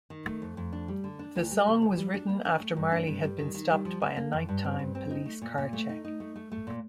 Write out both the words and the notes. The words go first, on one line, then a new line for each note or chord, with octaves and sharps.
The song was written after Marley had been stopped by a night-time police carcheck.
D#3
A3
F2
F2
D4
G3
D3
D4
D2
G3
C3
D2
G3
D4
A#3
D4
A3
G2
D4
G2
G3
D#3
D#3
G3
F3
D3
A#3
F2
G2
C4
G2
C4
D#4
A3
A#2
A#2
A3
D#4
D#4
A3
A3
A3
A#2